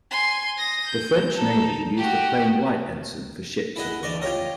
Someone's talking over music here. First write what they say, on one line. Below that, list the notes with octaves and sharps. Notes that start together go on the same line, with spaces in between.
The French Navy used a plain white ensign for ships of the line.
G#5 C6
D#6 A#6
G6
D#4 A4
F#4 G4
E4 G#4 D#5 F#5
E3 D5 D#5 C#6
F4 G4 C#5 D#5